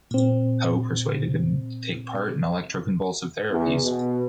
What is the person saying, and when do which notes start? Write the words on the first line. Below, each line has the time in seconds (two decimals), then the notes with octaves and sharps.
Hoe persuaded him to take part in electroconvulsive therapies.
0.11 A#2 C4
3.50 E2
3.82 B2